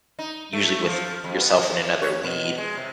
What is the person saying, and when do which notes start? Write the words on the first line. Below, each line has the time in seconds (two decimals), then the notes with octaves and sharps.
usually with yourself and another lead.
0.19 D#4
0.53 A3
0.87 F3
1.24 F2
1.40 B3
1.58 F3
2.02 C#5
2.24 B2
2.58 G#3
2.77 C3